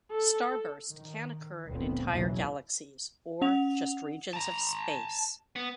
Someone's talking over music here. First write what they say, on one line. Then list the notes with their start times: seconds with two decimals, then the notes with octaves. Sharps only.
Starburst can occur in entire galaxies or just regions of space.
0.11 A4
0.93 D#3
1.66 F1 D2 A#2 B3 C4
2.12 F#1 B1 E2 B2 E3 F#3
3.42 C#4 F#5 F7
4.33 A5 A#5
5.56 B3